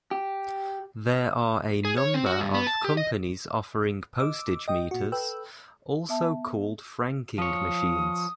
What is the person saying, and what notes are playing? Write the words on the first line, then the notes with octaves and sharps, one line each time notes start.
There are a number of companies offering postage meters, also called franking machines.
G4
G#4
C#5
C4
F#4
G2
B3
A5
G4
D#5
D#5 D6 E6
D#5 G5 D#6
A#2 F#4
A4 B4 G5 E6
B3 E5 A5
F3 C#5 D#6